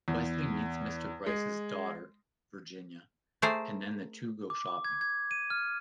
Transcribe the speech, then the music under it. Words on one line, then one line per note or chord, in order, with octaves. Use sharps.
Wesley meets Mr. Bryce's daughter, Virginia, and then the two go shopping.
E2
G#3
A3 G#4 A#4 C5 D5
D6
D6
G#6
G#6
D#7
F6